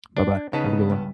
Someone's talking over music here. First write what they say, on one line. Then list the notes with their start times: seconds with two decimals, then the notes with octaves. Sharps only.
Bye-bye. Have a good one.
0.17 D4
0.53 C#3 B3 D#4 A5 B6
0.90 C#2 G2